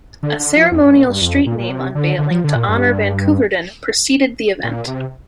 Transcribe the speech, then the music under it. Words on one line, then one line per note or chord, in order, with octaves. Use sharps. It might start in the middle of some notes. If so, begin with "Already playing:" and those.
A ceremonial street name unveiling to honor van Koeverden preceded the event.
D3
D3
F3
F2
G2
A#2
G2
F2
A#2
A#2
C3
D3
D3
F3
D3
A#2
G2
A#2
C3